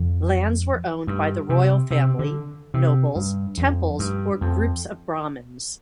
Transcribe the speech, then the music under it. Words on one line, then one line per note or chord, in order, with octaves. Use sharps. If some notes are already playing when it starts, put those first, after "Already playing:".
Lands were owned by the royal family, nobles, temples or groups of Brahmans.
Already playing: F2
G2
C3
C3
D3
C3
G2
F2
G2
F2